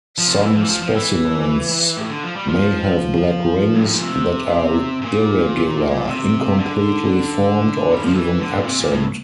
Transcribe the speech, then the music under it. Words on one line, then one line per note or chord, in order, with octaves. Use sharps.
Some specimens may have black rings that are irregular, incompletely formed or even absent.
F3
C3
D3
E3
F3
E3
F3
F3
E3
A2
D3
F3
G3
F3
G2
A2
A#2
C3
C3
A#2
C3
D3
G3
F3
E3
D3
A#2
C3
A#2
A2